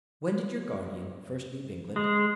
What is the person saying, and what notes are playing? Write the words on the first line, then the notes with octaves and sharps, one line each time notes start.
"When did your guardian first leave England?"
G#3